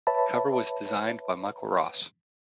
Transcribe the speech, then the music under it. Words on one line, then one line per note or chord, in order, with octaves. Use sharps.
The cover was designed by Michael Ross.
B4 C#5 E5 A5 B5